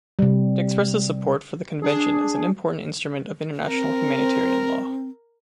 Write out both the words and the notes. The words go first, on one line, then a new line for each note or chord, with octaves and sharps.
It expresses support for the Convention as an important instrument of international humanitarian law.
C3 G3
D4 G#4
C4 A#4